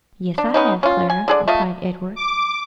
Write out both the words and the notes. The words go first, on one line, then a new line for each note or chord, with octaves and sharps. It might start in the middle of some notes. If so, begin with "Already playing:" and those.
"Yes I have, Clara," replied Edward.
D4
B3 C#4 D#4
C#4 F4
G#5
D3 G#4 D5
A3 F4 D#5
D6